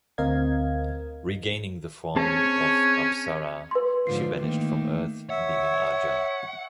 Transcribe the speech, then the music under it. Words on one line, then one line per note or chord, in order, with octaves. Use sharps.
Regaining the form of apsara, she vanished from earth leaving Aja.
D2 C4 A#4 D#5 F5 G#6
C4 C#4 G#4 C#5 A5
B4 C6
G#2 D3 F3 C7
D#3 A3 A#3
C#5 E5 F#5